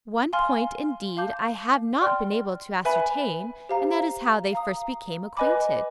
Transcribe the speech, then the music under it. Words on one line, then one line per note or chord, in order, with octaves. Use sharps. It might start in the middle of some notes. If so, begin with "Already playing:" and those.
One point indeed I have not been able to ascertain and that is how they first became acquainted.
F5 G#5 C6 F6
F5 A5 D6 G6
D5 G5 C6 F6
B4 E5 G#5 B5
G4 C5 F5 A#5
F5 A#5 D#6
B4 D#5 G#5 B5 D6